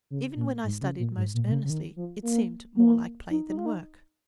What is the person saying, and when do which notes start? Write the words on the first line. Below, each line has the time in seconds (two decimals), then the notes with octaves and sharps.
Even when I studied most earnestly it seemed more like play than work.
0.10 C#3
0.36 A#2
0.64 G#2
0.81 C#3
0.99 A#2
1.16 G#2
1.34 A#2
1.46 A#2
1.52 C#3
1.65 C#3
1.70 D#3
1.96 F3
2.23 A#3
2.77 A#3
3.30 D#4
3.48 D#4
3.58 F4
3.66 D#4